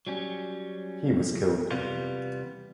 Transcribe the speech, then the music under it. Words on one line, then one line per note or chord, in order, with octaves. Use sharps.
He was killed.
F#3 G3 C#4
E2 C3 G3 B3 F4